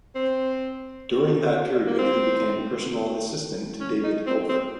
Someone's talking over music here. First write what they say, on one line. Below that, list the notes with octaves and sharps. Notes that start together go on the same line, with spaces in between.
During that period he became personal assistant to David Hilbert.
C4
A#3
C4
C#4
D#4
C4
C4